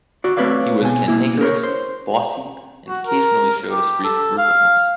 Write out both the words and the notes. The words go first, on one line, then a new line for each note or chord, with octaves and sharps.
He was cantankerous, bossy and occasionally showed a streak of ruthlessness.
F#4 D5
A3 C4 B4 C#5 D5 F5
B2 G#5
B2 A#3 E4
A#4 C5 C#5
C5
F#4
A#4
G4
A4
F5